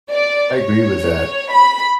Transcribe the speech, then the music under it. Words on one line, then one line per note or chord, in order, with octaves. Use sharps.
I agree with that.
D5
C#5
B5